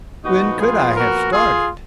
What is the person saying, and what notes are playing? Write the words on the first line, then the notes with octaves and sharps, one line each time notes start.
When COULD I have started!
A#2 F3 B3 D#4 F#4
F4 G#4
F#4 A#4
F4 G#4